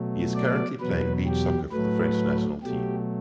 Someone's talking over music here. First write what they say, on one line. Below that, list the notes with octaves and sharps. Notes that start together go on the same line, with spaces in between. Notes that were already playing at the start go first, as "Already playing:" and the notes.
He is currently playing beach soccer for the French National team.
Already playing: B2 F#3 A3
D5
E2 B2 F#3 B4
G4
A2 F#3 A3 B4
B2 F#3 A3 G4